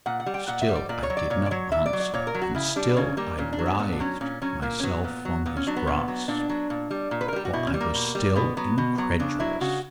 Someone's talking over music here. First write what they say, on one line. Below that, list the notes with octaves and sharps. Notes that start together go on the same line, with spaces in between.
Still I did not answer, and still I writhed myself from his grasp: for I was still incredulous.
A#2 F#5
F#5
G3
G5
A#2 F#5
E5
G3
D5
A#2 D5
C#5
F#3
D5
A#2 C#5
D5
F#3 C#5
A#2 E5
D5
F#3
D5
A#2 C#5
A#4
F#3
F#4
C#3 E4
G3 D4
B3
C#3 C#4
G3 A#3
A#2 C#4
D4
F#3
B3
A#2 B3
D4
F#3 C#4
A#2 C#4
F#3 C#4
A#2 A#3
C#4
F#3 B3
A#2
F#3
A#2 B3
C#4
F#3 D4
B3
A#2
F#3
A#2 D4
F#3
A#2
G3
A#2
B4
A#4
G3 G4
F#4
B2 E4
C#4
G3
A#3
B2
G3
B2 B3
F#3 B3
B2
F#3
C#3 D4
F#3 E4
C#3 F#4